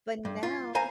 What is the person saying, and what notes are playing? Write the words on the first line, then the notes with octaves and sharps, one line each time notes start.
But now
G2
F4
C5 F5 G#5 A#5